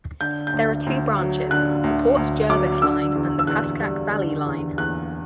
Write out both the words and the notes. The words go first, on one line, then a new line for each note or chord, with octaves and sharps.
There are two branches: the Port Jervis Line and the Pascack Valley Line.
D3 G6
G6
D2
D2
F#3
D3 F#6
D2
D2
F#3 D6
D3 E6
E2
E6
E2 F#6
G3
D3
E2
E2 F#6